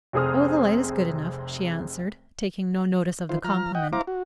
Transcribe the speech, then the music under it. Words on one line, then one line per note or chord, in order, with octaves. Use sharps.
"Oh, the light is good enough," she answered, taking no notice of the compliment.
F1 C3 G#4 C5 D#6 F6
D#3 E3 F4 C5
F3 A#5 F6
D#5 F#5 G5
E4 C5 F5 A#5 D6
F#4